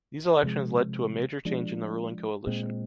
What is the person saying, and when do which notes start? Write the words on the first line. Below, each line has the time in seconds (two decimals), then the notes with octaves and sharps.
These elections led to a major change in the ruling coalition.
0.43 C3 F3 G#3
1.45 F3 G#3 D4
2.47 A#2 G#3 C4